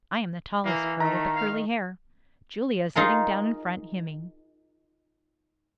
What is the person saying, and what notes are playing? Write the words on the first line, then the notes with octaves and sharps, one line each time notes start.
I am the tallest girl, with the curly hair. Julia is sitting down in front, hemming.
E3 A#3
D#3 A3 A#5
F5
D#4 F4 G#4 A#4